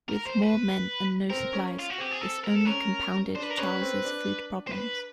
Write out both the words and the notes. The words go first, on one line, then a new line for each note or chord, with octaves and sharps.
With more men and no supplies, this only compounded Charles's food problems.
A#4
C5
B4
C4 A#4
C#4
F4
F#4
C4 G4
G#4
A4
A#4
A4
C#4 A#4
D4 C5
B4
A#4
C#4 B4
C4
D4
C5
B4